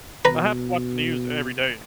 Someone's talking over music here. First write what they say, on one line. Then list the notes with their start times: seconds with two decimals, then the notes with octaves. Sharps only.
I have to watch the news every day.
0.25 B2 B4 A#5